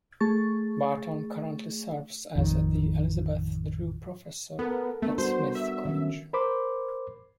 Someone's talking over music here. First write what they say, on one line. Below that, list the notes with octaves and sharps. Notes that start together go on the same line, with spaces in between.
Barton currently serves as the Elizabeth Drew Professor at Smith College.
A3 G#4 C#6 A6
A1 F2 D#3
B3 A4 A#4
A3 B3 D4
G3 F#4 C5
E5
D#3 F#3 C#4
A#4 C5 B5 D6